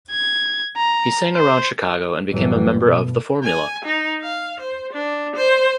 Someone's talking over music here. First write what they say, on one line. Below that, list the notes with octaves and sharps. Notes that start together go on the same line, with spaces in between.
He sang around Chicago and became a member of The Formula.
G#6
A#5
C5
A1 F#2 A2 E3 F#3 G3
G1 B2
G#5
D#4
F5
C5
D4
C5